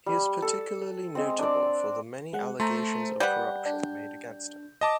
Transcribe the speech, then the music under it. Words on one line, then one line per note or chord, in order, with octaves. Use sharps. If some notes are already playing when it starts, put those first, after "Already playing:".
He is particularly notable for the many allegations of corruption made against him.
G3
A4
G#3 C4
D4 C5 D5
G#3 F#5
A3 C5 A5 A#5
G3 B4 F#5 G6
D4
D#5 A5 D6